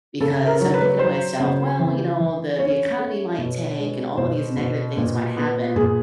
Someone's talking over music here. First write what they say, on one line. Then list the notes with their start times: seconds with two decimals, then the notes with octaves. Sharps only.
because I'm thinking to myself, "Well, you know, the the economy might tank and all of these negative things might happen
0.20 C#3 A4
0.47 A#4
0.60 F#3
0.74 B4
0.99 F#3 C5
1.40 C#3
1.79 E3
2.19 E3
2.59 C#4 C#5
2.98 A3
3.38 B2
3.78 G#3
4.17 B2 C5
4.56 B2
4.97 A#2
5.36 B3
5.76 A#2 G#4